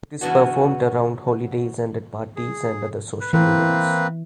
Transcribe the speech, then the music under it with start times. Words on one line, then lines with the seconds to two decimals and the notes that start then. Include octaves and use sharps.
It is performed around holidays and at parties and other social events.
0.21 C#3 E3 F#3 B3 D4 F#4
2.36 G#4
3.21 B4
3.33 E3 A#3 C4 B4